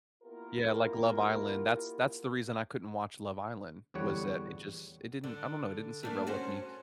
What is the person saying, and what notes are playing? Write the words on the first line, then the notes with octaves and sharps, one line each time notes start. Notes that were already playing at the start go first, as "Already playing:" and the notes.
Yeah, like, Love Island, that's that's the reason I couldn't watch Love Island, was that it just it didn't I don't know, it didn't sit well with me.
A#3 B3 E4 F4 G4 A#4
E2 D3 G3 C#5 F#5
D3
A3 A#3 D4
C#4 F#4 C5